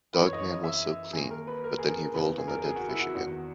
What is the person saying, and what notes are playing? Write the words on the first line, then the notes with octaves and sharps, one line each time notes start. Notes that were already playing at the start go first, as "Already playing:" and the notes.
Dog Man was so clean, but then he rolled on the dead fish again.
F#2 E3 B4
C#5
D#5
C#5
D#5
E5
D#2 D#3 G#4
A#4
B4
A#4
G#4
A#4
E2 C#3 E3 B4
G#4
A#4
G#4
F#4
E4
F#4
E2 D#3 F#4